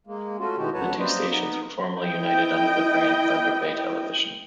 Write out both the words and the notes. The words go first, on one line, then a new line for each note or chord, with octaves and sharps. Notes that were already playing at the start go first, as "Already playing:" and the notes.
The two stations were formerly united under the brand Thunder Bay Television.
G#3 A#3
A3 C#4 F4 F#4
B2 D#3 E3 G#3 F#4 G4
D2 F#3 F#4 B4 C#5 A5
G3 A#3 B4 C5 D5 D#5
B3 D#4
E4 D#5 G5